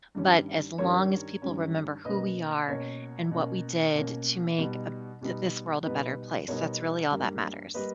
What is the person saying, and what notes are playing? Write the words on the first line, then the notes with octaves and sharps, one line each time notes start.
but as long as people remember who we are and what we did to make a th this world a better place, that's really all that matters,
G2 D#3 G3 C#4
G2 D#3 G3 C#4 A#4 C#5
G2 D#3 G3 C#4
B2 A#3 C#4 B4 D#5
B2 A#3 C#4 A#4 C#5
B2 A#3 C#4
B2 A#3 C#4
B2 G3 B3 D#4
B2 G3 B3 D#4
B2 G3 B3 D#4 B4
B2 G3 B3 D#4 A#4 C#5
G2 G3 A#3
G3 A#3 B4 D#5